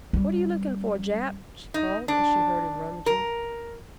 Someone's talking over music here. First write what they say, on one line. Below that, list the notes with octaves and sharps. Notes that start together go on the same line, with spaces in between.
"What are you looking for, Jap?" she called as she heard him rummaging.
G3 C#4
D#4
D4
A#4